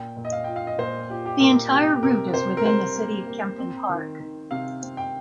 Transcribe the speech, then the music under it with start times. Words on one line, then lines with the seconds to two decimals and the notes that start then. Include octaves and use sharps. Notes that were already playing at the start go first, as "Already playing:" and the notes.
The entire route is within the city of Kempton Park.
Already playing: A#2 G5
0.17 A#2
0.25 D#5
0.32 F5
0.44 F4 G5
0.56 F5
0.67 D#5
0.78 A#2 C5
1.10 F4 G4
1.26 G4
1.40 A#2 A#4
1.72 C3 G4
2.03 C3 A#4
2.34 C3 C5
2.57 A#4
2.64 G3 C5
2.96 A#3
3.27 A#3
3.58 C4
3.89 D#3
4.20 D#3
4.51 C3 F5
4.82 C4
4.97 G5